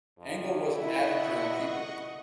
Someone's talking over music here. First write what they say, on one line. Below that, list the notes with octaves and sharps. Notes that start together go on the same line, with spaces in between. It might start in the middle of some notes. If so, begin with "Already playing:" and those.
Engel was an avid journal keeper.
F2
E4 D#5 F#5 C#6